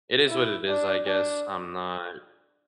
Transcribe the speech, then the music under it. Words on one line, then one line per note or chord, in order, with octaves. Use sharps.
it is what it is, I guess, I'm not
E4
D4
D4